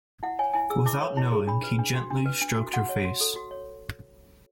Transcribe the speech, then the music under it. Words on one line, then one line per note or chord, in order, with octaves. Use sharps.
Without knowing, he gently stroked her face.
E4 F#5
C#5 G#5
E4 G#5
G#4 E6
E4 D6
C#5
E4
G#4
D4 B5
B4
D4
F#4
D4
B4
D4
F#4
F#4 F#5
C#5
F#4
A4
F#4
C#5